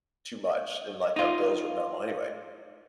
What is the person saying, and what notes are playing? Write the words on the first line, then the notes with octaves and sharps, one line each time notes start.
too much and, like, our bills were minimal anyway,
D#4 F4